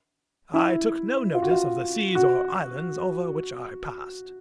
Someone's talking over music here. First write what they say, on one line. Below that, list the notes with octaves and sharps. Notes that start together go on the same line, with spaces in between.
I took no notice of the seas or islands over which I passed.
E4
F4
F#4
F4
F#4